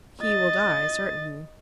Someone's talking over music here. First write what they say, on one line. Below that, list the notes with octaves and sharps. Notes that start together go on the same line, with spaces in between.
"He will die, certainly."
D#5 A6